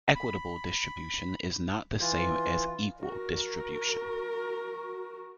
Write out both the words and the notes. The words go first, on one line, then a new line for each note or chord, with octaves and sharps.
Equitable distribution is not the same as equal distribution.
B5
E3 F4
F#4 A#4